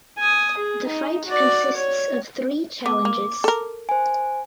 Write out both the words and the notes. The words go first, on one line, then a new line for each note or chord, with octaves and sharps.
The fight consists of three challenges.
G#5 D#6
G#4
D#4
F#4 D5
C#5
B3 D6
A#3
A4 A#4
C5 G#5